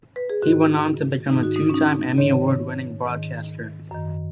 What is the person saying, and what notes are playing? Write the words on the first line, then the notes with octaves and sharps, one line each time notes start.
He went on to become a two-time Emmy Award winning Broadcaster.
B4
G#4
G#2 D#3 F#4
G#2 D#3 D#4
F#4
D#4
C#4
D#4
G#2 D#3 C#5
G#2 D#3
F#2 D#3